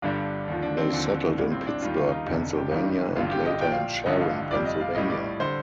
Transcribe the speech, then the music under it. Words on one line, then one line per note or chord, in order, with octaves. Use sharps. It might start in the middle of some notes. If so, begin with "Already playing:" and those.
They settled in Pittsburgh, Pennsylvania and later in Sharon, Pennsylvania.
G1 G2 D3 G3 D4
D#2 D3 F3
D4
C4
D#2 D3 F3
A#1 A2 G3
C4
D4
D#2 D#3 G3 F4
F4
D#4
F1 F2 D3 D#4
G4
G1 G2 D#3 G3 D#4
A1 G2 D3 F4
G4
D#5
A#1 A#2 F3 G5
F5
A1 G2 D3 F3 D#5
F5
F1 F2 C3 G3 D5
D#5
F5
A#1 A2 G3 D#5
D5
D3 G3 C5